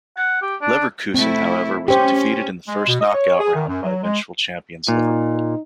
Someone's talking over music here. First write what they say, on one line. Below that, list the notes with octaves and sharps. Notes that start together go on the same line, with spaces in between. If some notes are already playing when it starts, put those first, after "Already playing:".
Leverkusen, however, was defeated in the first knockout round by eventual champions Liverpool.
F#5
G4
D4
A3 C4 E4
C#4 G4 C5
G#3
B2
D#5
C#5
G#4
D#3
F#2
F#3
G#3
A#2 D#4